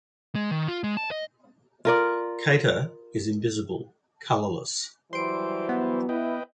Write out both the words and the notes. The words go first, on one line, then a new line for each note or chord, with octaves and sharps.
Keter is invisible, colorless.
G#3
D#3
F4
G#3
A5
D#5
F4 A#4 D5
E3 F#3 G3 C5 C6 D7
B3
E4 B4 D#5 G5